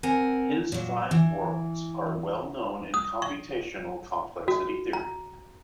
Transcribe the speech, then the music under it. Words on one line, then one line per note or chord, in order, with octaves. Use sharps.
His "five worlds" are well known in computational complexity theory.
C4 A#4 F#5 G#5
A#2 F#3
E3
D#6
C#6
F#4
A#5